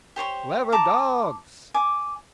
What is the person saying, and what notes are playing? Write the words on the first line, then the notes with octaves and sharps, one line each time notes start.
Clever dogs!
G4 C5 C#5 C6
A5 A#5 D6
G#5 D6